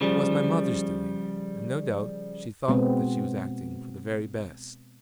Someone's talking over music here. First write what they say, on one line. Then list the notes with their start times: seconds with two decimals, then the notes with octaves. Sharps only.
It was my mother's doing, and no doubt she thought that she was acting for the very best.
0.01 C#3 F3 G3
2.68 B2 G#3 B3 C4